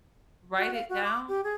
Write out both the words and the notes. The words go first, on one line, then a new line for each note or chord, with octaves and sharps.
write it down,
F#4
F5
F#4
D6
G4
G#4